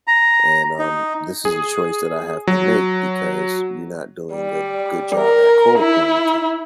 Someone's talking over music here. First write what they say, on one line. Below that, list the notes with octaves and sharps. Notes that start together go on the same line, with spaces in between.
And, um, this is a choice that I have to make because you're not doing a good job at co-parenting.
A#5
D#4
G#4
F#3
G3
A#4
E4